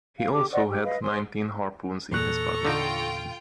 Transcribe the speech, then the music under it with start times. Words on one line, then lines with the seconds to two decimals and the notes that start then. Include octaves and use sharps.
He also had nineteen harpoons in his body.
0.18 F5
0.33 G4 D6
0.53 C5 D5 D#5 F#5
0.68 G4
0.84 B4 D#5 F5
1.03 C5 G#5 C6
2.12 E2 A#2 A4 A#5 C#6 F#6
2.65 D3 D#4 F4 G5